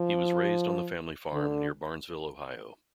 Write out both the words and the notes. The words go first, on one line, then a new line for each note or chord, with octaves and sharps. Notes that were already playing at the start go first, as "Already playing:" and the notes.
He was raised on the family farm near Barnesville, Ohio.
Already playing: F3
D3